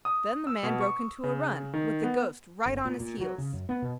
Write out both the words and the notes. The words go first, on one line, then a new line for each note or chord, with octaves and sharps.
Then the man broke into a run with the ghost right on his heels.
D#6
E6
B2
C#6
C#3
D#3
B3
G1
A#2
A#2
F#3
C#3
F#2
B3
B2